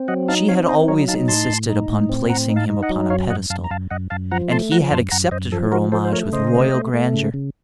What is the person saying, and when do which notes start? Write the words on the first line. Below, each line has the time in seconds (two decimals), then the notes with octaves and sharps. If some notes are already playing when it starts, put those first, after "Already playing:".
She had always insisted upon placing him upon a pedestal, and he had accepted her homage with royal grandeur.
Already playing: C4
0.08 F#3 D#5 F#5
0.28 D#4 F5 A5
0.48 C4 C#5 F5
0.68 D#4 C5 D#5
0.88 F#3 A#4 C#5
1.08 D#4 F5 A5
1.28 A2 A5 C6
1.49 A2
1.69 D#4
1.90 A2
2.09 C4
2.29 A2 F#5 A#5
2.49 D#4
2.56 F5 A5
2.70 D#4
2.83 D#5 F#5
2.90 F#3
3.10 F#2 C#5 F5
3.30 F#2 D#5 F#5
3.50 F#2 F5 A5
3.64 A#5
3.71 F#2 F5 A5
3.90 F#2 D#5 F#5
4.10 F#2 F5 A5
4.31 F3 F#5 A#5
4.51 A3 A5 C6
4.72 F3 F#5 A#5
4.91 F#2 A5 C6
5.11 F#2 F#5 A#5
5.31 F#2 C5 D#5
5.52 F3 A4
5.72 F3 F#4 A#4
5.92 F3 A4 C5
6.05 C5
6.12 A3 A#4 C#5
6.32 C#3 C5 D#5
6.53 A3
6.74 A3
6.94 A3
7.14 C#3
7.34 C#3